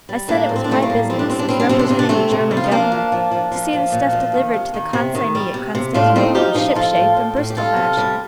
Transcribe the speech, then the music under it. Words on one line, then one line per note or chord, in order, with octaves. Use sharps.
I said it was my business, as representing the German Government, to see the stuff delivered to the consignee at Constantinople ship-shape and Bristol-fashion.
G3
A2 A#3 D4
A2
C4
D4
G3 A3 C4
A#3
A2
G3 C4
D4
C3 C4
D4
G3 C4
D4
C3 C4
D4
C3 C4
D4
C3 A3 C4
C3
G3
F4
D#4
F3 A#3 D4
F3
F3
F3
F3
F3
A#2
F3
D#3
C3
D#3
C3
D#3
G3
C3
C3
A2 D4 F4
F3 C4 D#4
F3 D#4 G4
F3 D#4 G4
F3 F4 A4
A2
A2
A2
G4
G3 F4 A4
C3
G3